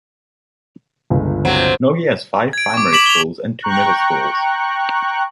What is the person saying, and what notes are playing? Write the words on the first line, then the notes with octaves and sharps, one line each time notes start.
Nogi has five primary schools and two middle schools.
G1 C#2
C3 F#3 C4
G#6 D7
C#6 D6
D6 B6 E7 F#7
F7 G7
G5 A#5 C#6 F#6